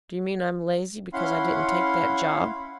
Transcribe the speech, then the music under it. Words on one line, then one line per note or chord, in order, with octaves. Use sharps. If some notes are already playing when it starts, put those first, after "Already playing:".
"Do you mean I'm lazy because I didn't take that job?"
C#4 E4 F5 F#5 B5 C6